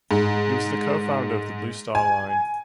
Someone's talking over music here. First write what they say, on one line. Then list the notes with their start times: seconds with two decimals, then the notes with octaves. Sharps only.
He was the co-founder of the Blue Star Line.
0.11 G#2
1.95 G#5